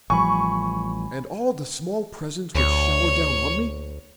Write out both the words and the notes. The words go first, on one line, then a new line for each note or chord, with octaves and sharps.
And all the small presents which showered down on me?
A1 F3 G3 G#5 B5 C#6
D2 C#5